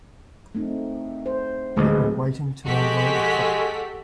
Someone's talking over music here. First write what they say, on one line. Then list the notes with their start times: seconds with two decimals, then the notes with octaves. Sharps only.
People waiting to unload a truck.
0.55 A3 C4 D#4
1.26 C5
1.76 D1 D2 G#3 B4 D#5
2.67 B2 F3 G#3 F#4 G4 A4 B6